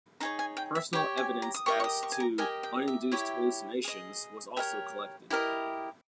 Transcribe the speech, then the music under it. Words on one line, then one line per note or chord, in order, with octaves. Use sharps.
Personal evidence as to uninduced hallucinations was also collected.
D#4 G#4 C#5 A#5
G#5
G5
E5
G4 C#5 G5
G#5
A#5
D#6
G4 A#4 D#5 C#6
C#6
D#6
C#6
G#5
A#5
G4 A#4 D#5 G#5
G5
E5
E4 G4 C#5
G#4 D#5
G4 A#4 C#5 E5
E4 G4 A#4 D#5